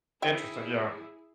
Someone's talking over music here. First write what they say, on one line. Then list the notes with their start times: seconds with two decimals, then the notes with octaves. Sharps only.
Interesting, yeah.
0.22 E4 G#4 C5 E5 G5